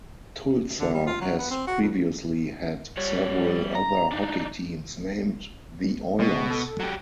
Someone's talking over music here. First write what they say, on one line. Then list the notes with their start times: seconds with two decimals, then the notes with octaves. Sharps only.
Tulsa has previously had several other hockey teams named the Oilers.
0.80 D3
0.93 G3
1.07 F4
1.21 F#3
1.38 B3
1.51 C4
1.67 F#4
1.81 F2
2.98 G3 C#5
3.75 A#5
4.12 D4 D#4
6.19 B2 G#3
6.50 A4
6.80 F#3 G4